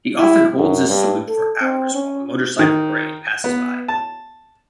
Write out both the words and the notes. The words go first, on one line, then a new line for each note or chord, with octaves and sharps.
He often holds his salute for hours while the motorcycle parade passes by.
E4
F#2
G2
A4
C4
C#4
D#3
B3
A5